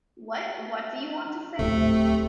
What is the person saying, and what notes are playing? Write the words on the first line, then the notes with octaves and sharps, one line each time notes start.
What? What do you want to say?...
D1 C3 A3